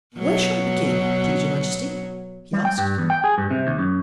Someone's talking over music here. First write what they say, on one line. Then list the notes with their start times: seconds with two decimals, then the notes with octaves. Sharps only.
'Where shall I begin, please your Majesty?' he asked.
0.17 B2 F#3 B3
2.53 G3
2.65 G5
2.78 G2
2.98 E2
3.10 G5
3.24 G#4
3.38 G2
3.51 C3
3.67 D#2
3.78 F#2